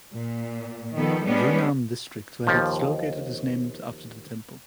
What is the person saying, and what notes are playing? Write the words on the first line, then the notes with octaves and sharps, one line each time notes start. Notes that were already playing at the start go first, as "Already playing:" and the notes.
Jing'an District, where it is located, is named after the temple.
A#2
D#3 F3 B3 A4
G3 G#3 B3 C#4 D4
D#2 F3